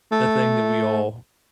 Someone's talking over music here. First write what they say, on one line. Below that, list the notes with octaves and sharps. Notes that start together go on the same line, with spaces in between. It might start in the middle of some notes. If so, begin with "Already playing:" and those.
the thing that we all
A3